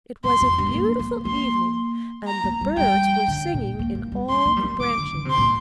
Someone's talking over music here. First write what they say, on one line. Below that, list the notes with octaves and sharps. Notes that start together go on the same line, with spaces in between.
It was a beautiful evening, and the birds were singing in all the branches.
F2 C6
F2
G2
A#3
A#3
A#3 C6
A#5
A#3
G3
G3 G5
D3
A#2
A#3
A#3
G3
C4 C6
A#3
G3
A#3
F3 D6
D3
D3
C3 C6
A#2